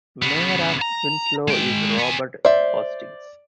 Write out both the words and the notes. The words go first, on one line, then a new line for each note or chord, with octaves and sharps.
Mayor of Winslow is Robert Hastings.
C#3 B3
A#5
G#3 G5
B3 G#5
C5 D5 E5